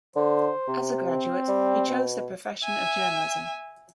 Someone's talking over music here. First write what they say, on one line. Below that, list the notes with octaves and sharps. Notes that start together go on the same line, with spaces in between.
As a graduate he chose the profession of journalism.
D3 C5
C3
C4
G3
B2
E5 G#5